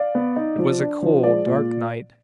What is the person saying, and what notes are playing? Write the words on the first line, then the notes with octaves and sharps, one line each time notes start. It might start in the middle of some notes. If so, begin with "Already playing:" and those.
It was a cold, dark night.
Already playing: D5 F5
B3
D#4
F3
D4
F3
G#3 D5
A#2